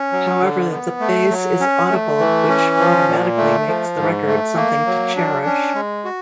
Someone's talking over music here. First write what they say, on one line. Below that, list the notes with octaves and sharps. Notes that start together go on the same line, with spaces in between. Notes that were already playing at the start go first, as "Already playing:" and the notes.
However, the bass is audible, which automatically makes the record something to cherish.
Already playing: C#4
F#3
D3
B3
A3
F#3
C#4
A3
E3
C#4
F3
A#2
A3
F3
G#2
A3
A#3
F#3
D4
C#4
G#3
F#4